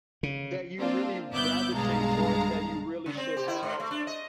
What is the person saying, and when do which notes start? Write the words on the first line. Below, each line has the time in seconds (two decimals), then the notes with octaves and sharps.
that you really gravitate towards, that you really should have
0.23 C#3
0.78 A#3 C4 D4 F4
1.31 G1 B3 E5 D6 F#6 G6
1.74 B1 G2 G#3 F5 A5 A#5
3.06 C#3
3.17 C4
3.37 G4
3.48 E4
3.63 G#2
3.80 A3
3.91 D4
4.07 D#5